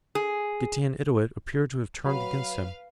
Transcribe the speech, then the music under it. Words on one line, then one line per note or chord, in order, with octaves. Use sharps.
Getanittowit appeared to have turned against him.
G#4
F#3 B4 F5 B5